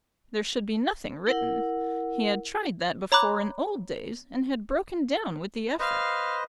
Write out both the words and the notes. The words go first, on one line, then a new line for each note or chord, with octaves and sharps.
There should be nothing written; he had tried that before in old days, and had broken down with the effort.
E4 A#4 F#5
C#5 A#5 B5 D6 F#6
B4 C5 D#5 F5